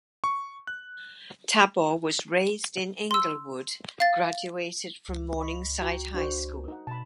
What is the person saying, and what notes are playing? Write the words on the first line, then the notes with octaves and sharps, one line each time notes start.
Tabor was raised in Inglewood graduated from Morningside High School.
C#6
F#6
C6 E6
F5 A6
C#2
D#5 B5 C#6
F#4 G5 A#5
D4 F#4 C5
D#4 F#5
B2 A5 B5